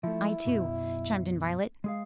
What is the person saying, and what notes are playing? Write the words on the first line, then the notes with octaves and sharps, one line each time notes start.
"I too," chimed in Violet.
F3 G3 A3 E4
B1 F#2 B2
G#3 G#4 F5